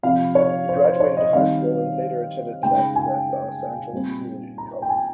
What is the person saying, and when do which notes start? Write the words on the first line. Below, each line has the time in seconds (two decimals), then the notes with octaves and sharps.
He graduated high school, and later attended classes at Los Angeles Community College.
0.03 C3 F3 C4 F5
0.35 C#5
0.69 C5
0.84 C5
1.00 C#5
1.17 D#5
1.33 D#3 G3 C4 D#4 F5
2.63 C#3 G#3 D#4 G5
2.95 G#5
3.93 A#2 G3 C4
4.58 A#5
4.82 G5
4.89 G#5